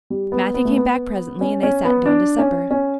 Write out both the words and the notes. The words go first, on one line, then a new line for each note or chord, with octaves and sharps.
Matthew came back presently and they sat down to supper.
G3
B3
B3
A3
B3
C#4
C#4
B3
D4
C#4
C#4